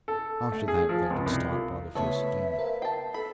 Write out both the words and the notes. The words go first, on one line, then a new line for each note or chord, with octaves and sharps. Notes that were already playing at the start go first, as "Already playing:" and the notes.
After that they could start by the first steamer.
A4
A3
G#4
F3
C#2
C2
F4
C#3 A3 B3 A4 C#5 E5
A#4 C5 F5
G5 A5 C7
A4 B5